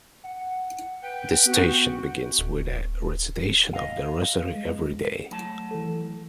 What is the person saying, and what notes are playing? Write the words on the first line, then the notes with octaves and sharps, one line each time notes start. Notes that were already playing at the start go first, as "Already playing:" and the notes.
The station begins with a recitation of the rosary every day.
F#5
B4 G5
B3 F#4
D1
D#5 F5
G#3
F#3 A3 A5
E3 A4